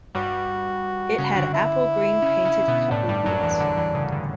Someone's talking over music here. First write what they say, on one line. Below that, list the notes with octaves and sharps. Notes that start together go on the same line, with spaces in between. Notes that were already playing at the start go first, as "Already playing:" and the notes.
It had apple green painted coupled wheels.
G2 G3 F#4
C#3 C#4
D3 D4
E4
C#3 C#4
C#3 C#4
B2 B3
A2 A3 D4
G2 G3
F#2 F#3
E2 E3
D3
E2 E3
C#3
D3